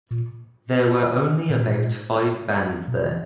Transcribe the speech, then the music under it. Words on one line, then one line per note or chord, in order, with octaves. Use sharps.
There were only about five bands there.
A#2
A#2
B2
E3